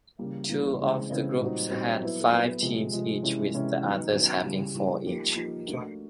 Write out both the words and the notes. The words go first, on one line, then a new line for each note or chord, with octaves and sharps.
Two of the groups had five teams each, with the others having four each.
C#3 E3 G3 A#3
C#3 E3 G3 A#3
C#3 E3 G#3 C4
C#3 E3 G#3 C4
A#2 G3 C4 D#4 F#4
A#2 G3 C4 D#4 F#4
F#3 B3 E4
F#3 B3 E4
C3 F3 G#3
C3 F3 G#3
C3 E3 G#3 C#4 E4
C3 E3 G#3 C#4 E4
D#3 F#3 B3 D#4
D#3 F#3 B3 D#4
C#3 E3 G3
C#3 E3 G3
F3 A#3 D#4 G4 A#4
F3 A#3 D#4 G4 A#4
A3 D4 F#4 A#4